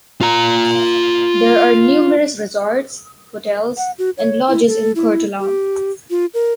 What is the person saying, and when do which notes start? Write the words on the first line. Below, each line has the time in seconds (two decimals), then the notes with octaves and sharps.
There are numerous resorts, hotels and lodges in Courtallam.
0.21 F4 A#5
3.77 F#5
3.98 F#4
4.18 C#5
4.48 E4
4.68 A4
4.96 E4
5.39 G4
6.10 F4
6.34 A#4